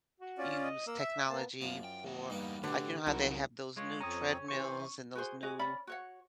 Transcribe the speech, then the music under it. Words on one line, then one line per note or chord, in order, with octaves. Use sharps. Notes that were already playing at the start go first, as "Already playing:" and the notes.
use technology for like, you know how they have those new treadmills, and those new,
F#4
C#4 F4 D5
D#5
A#3 E6
E5
A#3 B3 A5
F#2 F3 A#3 C5 F5
G5
D#3 A#3 F#5
E2 G2 A#3 B3 D#4
A2 D3 A3 B3 F#4 G4
C2 F#2 D#3 C#4 E4 F#4 F#5
G#3 F4 C#5
F2 C4 C#4 C#5 A#5 D#6
C3 E3 C5 C#6
F#4 G#4 C5
F#4 G#4 D#5
C#4 D5 B5
F#4 C#5 F#5